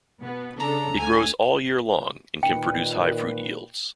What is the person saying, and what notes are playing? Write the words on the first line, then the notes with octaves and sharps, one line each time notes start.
It grows all year long and can produce high fruit yields.
B2 B3
C#3 D4 A4 A#5
D2 A3 G#5
A#2 D#3 B4 G5